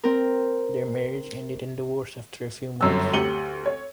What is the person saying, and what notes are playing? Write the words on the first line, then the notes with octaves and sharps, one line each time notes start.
Their marriage ended in divorce after a few months.
C4 A#4
G1 F#2 E6
D2 G4 C#7 D#7 F#7 G7
C#5